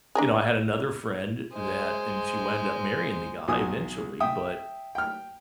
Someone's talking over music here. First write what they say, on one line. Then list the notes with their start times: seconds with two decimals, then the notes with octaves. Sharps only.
you know, I had another friend that and she wound up marrying the guy eventually, but
0.15 D4 D#4 G#4
1.54 G#3 C5
3.48 B1 F#4 G#5 D#6
4.20 E5 G5 D#6
4.95 G5 F6